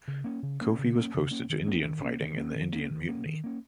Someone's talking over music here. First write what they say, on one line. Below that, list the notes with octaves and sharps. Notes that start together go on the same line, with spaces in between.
Coffey was posted to Indian fighting in the Indian Mutiny.
C#3
A#3 C#4
C#3
A#3 C#4
C#3
A#3 C#4
C#3
A#3 C#4
D#3
A#3 C#4
D#3
A#3 C#4
D#3
A#3 C#4
D#3
A#3 C#4
D#3
A#3 C#4
D#3
A#3 C#4